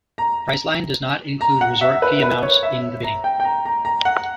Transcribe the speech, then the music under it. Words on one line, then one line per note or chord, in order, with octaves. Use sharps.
Priceline does not include resort fee amounts in the bidding.
A#5
A#5
F#5
E5
B4
B4
C#5
E5
A#5
G5
G5
A#5
A#5
A#5
F#5